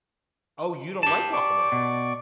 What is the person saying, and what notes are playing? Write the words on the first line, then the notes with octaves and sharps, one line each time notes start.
Oh, you don't like guacamole.
G4 A5
D5 C#6 D6
B2